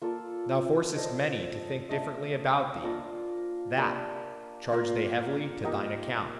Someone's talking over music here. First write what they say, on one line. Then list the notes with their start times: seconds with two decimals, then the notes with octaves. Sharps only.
Thou forcest many to think differently about thee; that, charge they heavily to thine account.
0.02 A#3 F4 A4 D5
0.95 D4 A4 C5 D#5
1.89 A3 D4 A4 D#5
2.83 A#3 D4 F4 A#4
3.77 A#3 D4 G4
4.70 A#3 F4 A#4 D5
5.64 A#3 D#4 G4 A#4